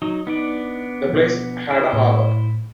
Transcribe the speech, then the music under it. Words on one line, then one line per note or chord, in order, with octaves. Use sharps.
The place had a harbour.
F#3 D#4
B3 D4 D#4 D5
B2 F3
E4 C5
A2